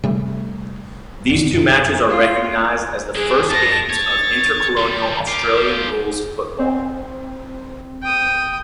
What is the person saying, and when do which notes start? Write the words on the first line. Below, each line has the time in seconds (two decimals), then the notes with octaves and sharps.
These two matches are recognised as the first games of intercolonial Australian rules football.
0.04 C3 G3 A3
1.30 B1 F#2 D3
1.53 F#2 C3 F3
2.08 F4
3.16 E3 D4 G#4
3.51 F2 A5 A#6
3.89 C#5 A6
4.77 D#3 G3
5.27 F4 G4 D6
6.59 C4
8.03 G5 D#6